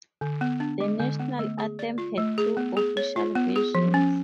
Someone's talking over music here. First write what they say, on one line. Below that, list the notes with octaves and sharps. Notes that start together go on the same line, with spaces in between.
The national anthem had two official versions.
D3
B3
D4
G#3
D3
B3
A3
G#4
D5
F4
A3
G#4
B3
G#4
C#5
F4
B3
G#4
F3
C#4